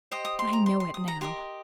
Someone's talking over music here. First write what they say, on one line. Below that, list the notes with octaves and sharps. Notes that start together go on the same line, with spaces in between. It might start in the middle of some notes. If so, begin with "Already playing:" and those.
I know it now.
G4 C5 D#5 D#6
D#6
C6
A#5
C6
C6
D#6
A#5
G4 A#4 D#5 C6